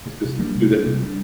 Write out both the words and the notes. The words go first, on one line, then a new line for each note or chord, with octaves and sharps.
Because do tha
C3
G3 A#3 D4
C3
G3 A#3 D4
C3
G3 A#3 D4